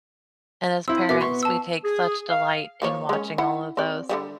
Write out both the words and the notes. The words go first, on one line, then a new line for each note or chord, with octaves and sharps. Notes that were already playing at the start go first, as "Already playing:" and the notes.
And, as parents, we take such delight in watching all of those.
C4 E4 E6
B2 B3 A#4 E5 D6
B3 C6 C#6
A5 E6
G#4
F5
F3 A#3 C#5
G#3 C#4
E4 F#5
C4 G4 D5
D3 E3 G3